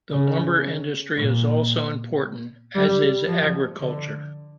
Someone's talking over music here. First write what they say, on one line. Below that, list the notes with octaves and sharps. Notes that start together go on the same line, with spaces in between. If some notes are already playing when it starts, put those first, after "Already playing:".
The lumber industry is also important, as is agriculture.
C#3
A#2
G3
F3
D3